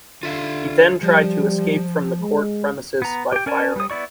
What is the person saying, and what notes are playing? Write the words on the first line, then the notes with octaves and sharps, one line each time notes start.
He then tried to escape from the court premises by firing.
D3 F4 E5 F5
F3 G3
G#3
B3 A#5
G4 G5
C#4 A#4 D5 G#5 A5
G3 D#6
B3 E4 D5 C#6